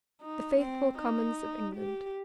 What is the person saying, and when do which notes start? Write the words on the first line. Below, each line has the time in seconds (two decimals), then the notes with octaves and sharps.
"The faithful Commons of England."
0.22 D#4
0.60 C4
0.99 D#4
1.76 G4